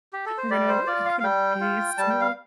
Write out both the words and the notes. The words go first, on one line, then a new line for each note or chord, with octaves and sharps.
I'm gonna I'm gonna be sorry
G4
A4
C5
G3 D5
C5
F4 D5
F5
F5
G3 G5
F4
G3 A5
G5
F5